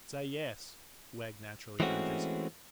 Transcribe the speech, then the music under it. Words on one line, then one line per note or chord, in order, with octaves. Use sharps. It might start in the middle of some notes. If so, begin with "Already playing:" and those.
'Say yes,' Wegg naturally urges.
E3 G#3 A3 C4 C#4 F#4